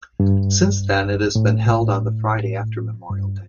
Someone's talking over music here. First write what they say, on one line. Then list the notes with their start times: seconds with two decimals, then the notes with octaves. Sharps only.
Since then it has been held on the Friday after Memorial Day.
0.20 G2
1.35 A2
3.10 G2